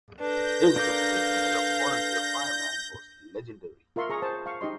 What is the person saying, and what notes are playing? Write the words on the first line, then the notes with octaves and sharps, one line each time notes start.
His reputation as a volunteer fireman was legendary.
D4 A4 B4 G6 A#6
D4 A#4 F5 D6
F4 A#4 E5 C6 C#6
G#4 A#5 C#6
C5 A5
F5 C#6
D#4 G4 D#5 C6